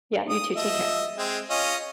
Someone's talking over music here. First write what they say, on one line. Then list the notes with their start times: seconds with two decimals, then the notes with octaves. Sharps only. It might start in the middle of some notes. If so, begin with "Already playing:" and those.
Yeah, you too. Take care.
0.30 D#6
0.56 F3 D#5 E5
1.17 G#3 C4
1.50 C#4 F4 D#5